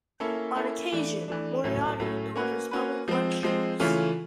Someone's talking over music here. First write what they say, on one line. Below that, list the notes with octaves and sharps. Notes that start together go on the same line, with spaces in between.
On occasion, Moriarty delivers public lectures.
A#3 C#4 E4 A4
A#3 C#4 E4 A4
E3 A3 D4
E3 A3 D4
A2 F#3 A3 C#4
A2 F#3 A3 C#4
A#3 C#4 F#4 B4
A#3 C#4 F#4 B4
F3 G#3 C4
F3 G#3 C4
C#3 E3 A3 C#4 F4